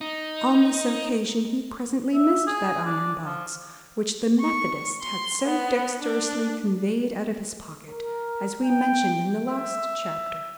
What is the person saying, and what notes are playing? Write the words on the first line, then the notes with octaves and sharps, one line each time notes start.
On this occasion he presently missed that iron box which the methodist had so dexterously conveyed out of his pocket, as we mentioned in the last chapter.
D#4
E5
G#4
D4
F3
C#6
C6
B3
D4
A#4
G5
E5